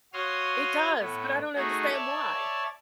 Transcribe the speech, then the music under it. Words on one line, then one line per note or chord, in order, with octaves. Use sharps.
It does, but I don't understand why.
F#4 C#5 F5 C6 D#6 F6
A2 B3
A3 D#4 F#4 G#4
C#5 D5 E5 A5